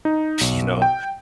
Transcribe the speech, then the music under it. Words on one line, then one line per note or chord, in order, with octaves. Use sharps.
you know?
D#4
B1
G5